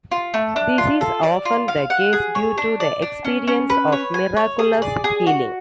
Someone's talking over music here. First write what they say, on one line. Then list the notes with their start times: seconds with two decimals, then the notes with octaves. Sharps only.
This is often the case due to the experience of miraculous healing.
0.12 F4
0.34 A3
0.56 D4
0.78 F4
1.01 A4
1.23 D5
1.45 F4
1.68 F5
1.90 F#5
2.13 G#4
2.35 C#5
2.58 D4
2.80 D5
3.02 D4
3.25 C#4
3.47 C#4
3.70 B4
3.92 C#5
4.14 G#5
4.37 C#5
4.59 G#4
4.82 D5
5.04 G#4
5.27 F#4